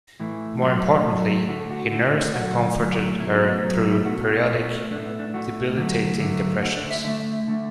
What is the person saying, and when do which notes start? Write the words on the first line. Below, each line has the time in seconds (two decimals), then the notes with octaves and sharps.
More importantly, he nursed and comforted her through periodic debilitating depressions.
0.20 A2 E3 A3
0.63 A2 F#3 A3 F#4
1.05 A2 F#3 A3
1.48 D3 A3 F#4
1.59 A4
1.71 F#4
1.91 D3 A3
2.33 D3 F#3 A3 F#4
2.77 D3 F#3 A3
3.19 B2 F#3 A3 E4
3.34 D4
3.48 B3
3.62 B2 F#3 A3 B3
3.77 D4
3.91 E4
4.05 B2 A3 F#4
4.48 B2 A3
4.91 A3 D4
4.95 A2
5.05 B3
5.19 D4
5.34 A2 A3 F#4
5.76 D3 F#3 A3
6.19 D3 F#3 A3
6.62 D3 A3 F#4
6.76 D4
6.90 E5
7.04 D3 A3 E5
7.48 D3 A3